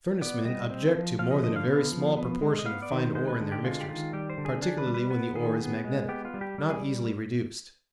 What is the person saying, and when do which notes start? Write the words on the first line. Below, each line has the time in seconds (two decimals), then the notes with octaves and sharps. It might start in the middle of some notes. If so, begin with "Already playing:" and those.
Furnacemen object to more than a very small proportion of fine ore in their mixtures, particularly when the ore is magnetic, not easily reduced.
0.21 B3 D5
0.45 G3 D#5
0.70 C4
0.94 F3
1.19 F3 F5
1.31 D#5
1.43 D3 D#5
1.56 F5
1.68 B3
1.92 F3
2.16 B3
2.42 G#3
2.59 D#5
2.65 B3 F5
2.82 D5
2.91 D#3
2.99 C5
3.15 G#3 C5
3.28 B4
3.40 D3
3.52 G4
3.64 G#3 F4
3.81 G4
3.88 D#3 F4
4.13 G3 G4
4.30 C5
4.38 D3
4.45 G#4
4.62 D4 G#4
4.78 B4
4.86 G3
4.94 B4
5.10 B3 B4
5.35 D#3 G#4
5.60 B3
5.84 G#3
6.09 B3 G4
6.25 F4
6.34 G3
6.41 G4
6.58 G3
6.70 G#4